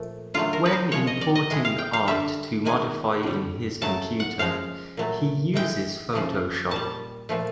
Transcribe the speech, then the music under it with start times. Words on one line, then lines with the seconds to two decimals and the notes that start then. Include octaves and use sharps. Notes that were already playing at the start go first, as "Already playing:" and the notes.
When importing art to modify in his computer, he uses Photoshop.
Already playing: A#2 F3 A3
0.34 D3 F#3 A3 F4
0.53 A#4
0.66 B4
0.72 C5
0.92 C#3 F3 G#3 C#5
1.07 D#5
1.21 D5
1.35 D#5
1.50 A2 E3 G#3
1.65 F5
1.78 G5
1.93 F5
2.07 D3 G3 E5
2.65 C3 D#3 G#3 G#5
3.23 D3 G3
3.81 C#3 F#3 A3 A5
4.20 F#5
4.39 C#3 F3 G#3 F5
4.97 A#2 F#3 A3
5.54 A2 E3 G#3 G5
6.13 C#3 F3 A3
6.71 A#2 G3 A5
7.29 A#2 F3 A3